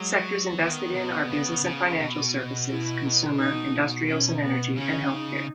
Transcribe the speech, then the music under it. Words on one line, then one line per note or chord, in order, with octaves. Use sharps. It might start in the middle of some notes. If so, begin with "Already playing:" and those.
Sectors invested in are business and financial services, consumer, industrials and energy, and healthcare.
Already playing: F#3 G#3
D#3 B3
B2
C#3
C#3
B2
E4
D#4
C#4
B3
C#3 C#4
D#4